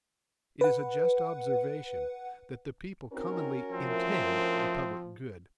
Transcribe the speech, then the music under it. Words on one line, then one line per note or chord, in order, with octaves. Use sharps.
It is a just observation, that the people commonly INTEND the PUBLIC GOOD.
B4 F#5
C4 C#4 D#4 F#4 A#4
F3 A3 C4 E4 E5